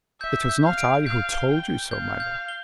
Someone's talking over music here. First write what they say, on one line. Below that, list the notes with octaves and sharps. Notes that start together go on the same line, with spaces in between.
"It was not I who told you so, my lord."
E5 G6
G6
F5
D7
F5 G6
G7
G5
G7
F5 G6
G6
G7